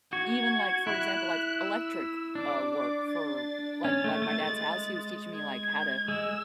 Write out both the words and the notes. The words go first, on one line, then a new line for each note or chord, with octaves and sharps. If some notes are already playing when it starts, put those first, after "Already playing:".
even, like, for example, like, electric, uh, work for like like my dad's house, he was teaching me, like, how to
F#4 G#6
E4 F#6
E6
D4 D6
D6
A6
C#4 A6
A3
A3
G#3
G#6
G#3 E6